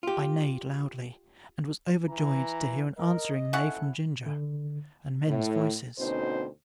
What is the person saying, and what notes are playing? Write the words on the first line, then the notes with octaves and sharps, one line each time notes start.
I neighed loudly, and was overjoyed to hear an answering neigh from Ginger, and men's voices.
F4 G4
E3 A#5
A#4 D#5
C#4 E4 A4 F#5
D3
A2
D2 B2 C4 C#4 D#4 C5